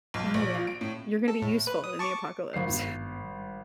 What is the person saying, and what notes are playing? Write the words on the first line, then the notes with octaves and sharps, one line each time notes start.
Oh yeah, you're gonna be useful in the apocalypse.
B1
A#1
F4
D7
A2
A4
A2
B4
D#6
A5 C#6 D6
G#1 C7
G2 B3
G3